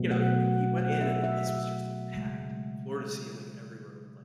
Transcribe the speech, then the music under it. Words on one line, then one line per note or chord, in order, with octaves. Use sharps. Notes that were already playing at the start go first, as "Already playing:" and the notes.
You know, he he went in, and the place was just, like, packed, like, floor to ceiling everywhere with, like,
Already playing: B2 F#3 A3
F#5
F#5
E5
E5
E5
C#3 G#3